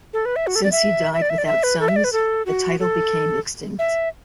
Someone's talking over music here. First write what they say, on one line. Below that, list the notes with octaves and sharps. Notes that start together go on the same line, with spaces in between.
Since he died without sons, the title became extinct.
A4
B4
E5
F#4
A4
D5
E5
E5
D5
E5
D5
E5
B4
A4
E5
D5
B4
A4
F#4
A4
E5